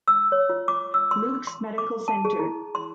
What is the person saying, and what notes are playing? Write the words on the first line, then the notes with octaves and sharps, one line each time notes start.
Luke's Medical Center.
E6
C#5
F4
D6
E6
C6
C6
D6
A5
G#4
E4
C6